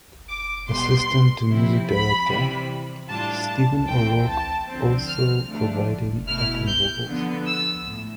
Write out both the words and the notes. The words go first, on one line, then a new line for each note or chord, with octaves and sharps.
Assistant to Music Director: Stephen O'Rourke also provided backing vocals.
D6
B2 G3 B3 C6
C3 F3 C4 E4
B5
C3 E3 G3 C4
A2 G3 D4 F4 A5
A5
E3 A3 C4 G5
A5
D3 F3 C4
F6
D3 F3 A3 D4
B2 A3 E4 F6
G6
D3 F3 B3
E6
A2